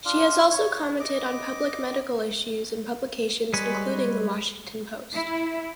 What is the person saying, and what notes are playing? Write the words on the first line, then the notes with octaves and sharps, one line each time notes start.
She has also commented on public medical issues in publications including the "Washington Post".
D4 F4
C#5
D#5 D6
G3 G#3 B4 C#5 G#5
E4